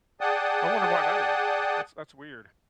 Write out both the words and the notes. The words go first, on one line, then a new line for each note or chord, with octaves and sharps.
I wonder why that is. That's that's weird.
G#4 D5 F#5 G5 A5 D#6